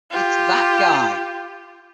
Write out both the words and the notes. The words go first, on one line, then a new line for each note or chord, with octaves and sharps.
It's That Guy!
F4 G4